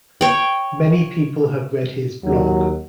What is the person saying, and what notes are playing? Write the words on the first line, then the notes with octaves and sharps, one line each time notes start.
Many people have read his blog.
C#5 G5
D#2 F#3